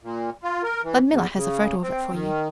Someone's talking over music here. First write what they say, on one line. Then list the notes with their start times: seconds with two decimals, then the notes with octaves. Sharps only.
Ludmilla has a photo of it for you.'
0.03 A#2
0.43 F4
0.63 A#4
0.83 E3
1.09 E2
1.36 C#3
1.82 C4
2.12 D#3